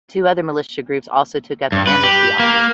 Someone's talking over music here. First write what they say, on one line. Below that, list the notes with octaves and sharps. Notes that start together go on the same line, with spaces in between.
Two other militia groups also took up the amnesty offer.
G2
B4
G4
A#3